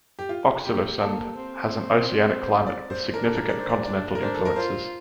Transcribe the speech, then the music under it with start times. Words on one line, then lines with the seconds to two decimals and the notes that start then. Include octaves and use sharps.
Oxelösund has an oceanic climate with significant continental influences.
0.19 G4
0.29 F4
0.65 A#3 G4
1.01 A#3 A4
1.37 C4
2.43 C5
2.67 D5
2.90 C5
3.14 D4 A#4
3.24 A4
3.35 A#4
3.49 D5
3.59 C5
3.69 D5
3.85 D4 D5
4.15 A#4
4.21 D4 C5
4.34 A4
4.45 A#4
4.56 F4 C5